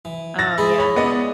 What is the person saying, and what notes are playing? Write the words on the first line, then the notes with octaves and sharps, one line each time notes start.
Oh yeah.
E3
E6 A6 A#6
G#3 E4 G#4 B5
C#5 B5
B3 D5 D#5